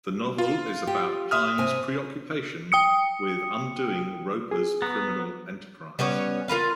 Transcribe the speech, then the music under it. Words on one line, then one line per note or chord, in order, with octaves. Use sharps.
The novel is about Pine's preoccupation with undoing Roper's criminal enterprise.
F4
G4
E5 D#6 F6
C3 G#5
G5 D#6 C#7
G#4
B3 A#5
G3 B3 C#4 C#5
F4 A#4 B4 F5